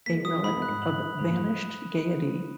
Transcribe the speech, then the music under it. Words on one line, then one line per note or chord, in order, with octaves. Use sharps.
A relic of vanished gaiety!
A#3 B6
G#3
F#3 D#6
F3
D#3 B5
B2
F#6
G#2
F#7
F#7
G#2 F7
A#2